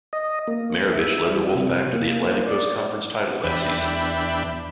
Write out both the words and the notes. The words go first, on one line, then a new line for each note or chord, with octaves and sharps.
Maravich led the Wolfpack to the Atlantic Coast Conference title that season.
D#5
A#3
E5
G3
C3
A#3
D5
E2 D4 E5 G5 B5